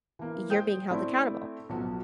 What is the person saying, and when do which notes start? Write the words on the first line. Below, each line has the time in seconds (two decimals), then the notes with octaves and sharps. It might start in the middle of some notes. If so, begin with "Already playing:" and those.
"You're being held accountable."
0.19 E3 A#3
0.50 C5 G5 D#6 G6
0.91 A3 C4 D4 E4
1.69 B1 F3 F#3 F#4